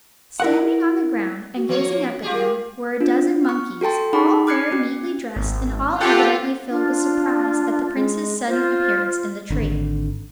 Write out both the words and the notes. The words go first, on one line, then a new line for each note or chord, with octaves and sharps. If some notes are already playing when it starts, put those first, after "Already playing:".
Standing on the ground, and gazing up at him, were a dozen monkeys, all very neatly dressed and all evidently filled with surprise at the Prince's sudden appearance in the tree.
E4 A#4 F#5
F#4
F3 A#3 C#5
F4 G4 G#4
A#4
D4 F4
C#6 F6
F#4 A4 G5 A5 C6
D#4 G#4 F#5 A5 B5
D6 F6 F#6 G#6 C7 C#7
C#4 F#4
G#1
F4 G4 A4 F#5
D4 F4
G#3
F4 C5
G#1 D3